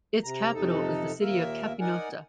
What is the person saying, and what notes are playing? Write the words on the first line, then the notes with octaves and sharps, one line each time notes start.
Its capital is the city of Capinota.
C3 A#5
F2 C3 D#4 A4
D#2 A#2 A#3 A#4 E5
D#4 A#4 D5 F#5 G#5